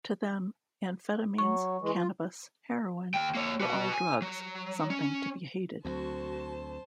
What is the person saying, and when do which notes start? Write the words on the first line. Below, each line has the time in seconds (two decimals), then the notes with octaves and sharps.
To them amphetamines, cannabis, heroin were all drugs - something to be hated.
1.38 F#3 C#6
1.81 E3 G#3
1.96 F4
3.14 D#2 G5
3.35 A#3 C#5
3.61 F#4 B4
3.93 G#5
4.22 F#3
4.90 C#4
5.85 D2 F#3 C4 F#4 C5 A5